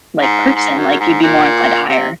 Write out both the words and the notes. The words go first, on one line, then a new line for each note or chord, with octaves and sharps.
like, person, like, you'd be more inclined to hire.
G#2
G#2
F#2
G#2
A#2
C3